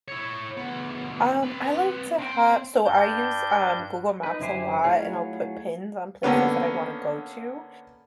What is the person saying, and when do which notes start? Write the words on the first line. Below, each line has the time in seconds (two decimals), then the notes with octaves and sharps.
Um, I like to ha so I use, um, Google Maps a lot and I'll put pins on places that I wanna go to,
0.08 E4 C#5
0.57 D2 B3
1.43 C4 B4
2.19 C4 G5
2.85 G2 D4 G6
4.23 D#4 B4
4.40 F#2 D3 E4 G4 C5 G#5
4.84 F#3 A3 E4 F4 G#4 C#5
6.23 D3 A#3 B3 C#4